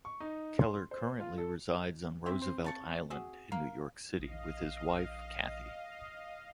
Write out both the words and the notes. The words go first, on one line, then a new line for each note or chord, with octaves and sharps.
Keller currently resides on Roosevelt Island in New York City with his wife, Kathy.
C#6
D#4
C6
C5
F4
A4
C4 C5 E5
C5
C#3 A5 C#6
F#4 G#4 E5
A#4 F5
A#1 D#5 F5